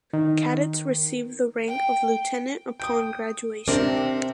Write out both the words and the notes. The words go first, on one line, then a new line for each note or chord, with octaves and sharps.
Cadets receive the rank of Lieutenant upon graduation.
D#3
G5
G5 D#6
C3 C4 D4 A#4